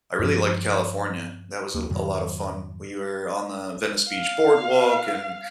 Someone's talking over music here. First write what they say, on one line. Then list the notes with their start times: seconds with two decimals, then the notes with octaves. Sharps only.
I really liked California, that was a l a lot of fun, we were on the Venice Beach boardwalk and
0.19 G2 F3
1.74 D#2 A#3
1.90 F2 G#2 D#3 F#3
4.10 F5